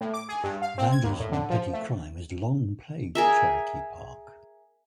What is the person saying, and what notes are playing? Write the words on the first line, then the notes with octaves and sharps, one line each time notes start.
Vandalism and petty crime has long plagued Cherokee Park.
A2
D6
G#4
G2
F5
C4
G#6
D#2
A2
D3
F3
A3
G#4 A#4 E5